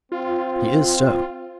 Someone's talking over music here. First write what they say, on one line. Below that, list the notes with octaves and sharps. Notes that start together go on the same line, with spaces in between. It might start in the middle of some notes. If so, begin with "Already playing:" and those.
"He is so."
C4 F4